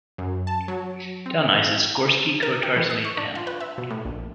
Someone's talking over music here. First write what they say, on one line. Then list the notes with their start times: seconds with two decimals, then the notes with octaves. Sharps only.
Delnice is Gorski Kotar's main town.
0.18 F#2
0.47 A5
0.68 F#3
1.26 C4
2.43 A#4
2.63 G4
2.76 E3
2.90 D#6
3.05 C#6
3.17 D4
3.35 F4
3.47 B4
3.60 E5
3.78 B2
3.90 A2
4.05 A#1